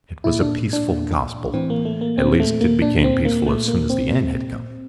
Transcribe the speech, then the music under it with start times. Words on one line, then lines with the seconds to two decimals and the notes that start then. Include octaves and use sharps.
It was a peaceful Gospel; at least, it became peaceful as soon as the end had come.
0.24 A#2 E4
0.41 D4
0.73 D4
0.89 A#2
1.54 A2 E3 C4
1.70 A#3
1.85 A3
2.01 A#3
2.18 A#2 C4
2.40 A3
2.61 A#3
2.82 A#2 D4
3.04 C4
3.25 A#3
3.46 A#2 A3
3.68 A#3
3.90 C4
4.11 A#2